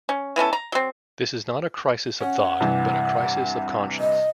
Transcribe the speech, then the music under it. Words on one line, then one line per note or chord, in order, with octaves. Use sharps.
This is not a crisis of thought, but a crisis of conscience.
C#4
E3 B3 C#4 A4
A#5
F#3 C4
C#4 F#5
G2 C3 E3
D#5